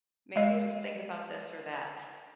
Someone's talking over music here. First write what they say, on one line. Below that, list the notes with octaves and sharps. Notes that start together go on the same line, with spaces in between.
maybe think about this or that."
G#3 D#5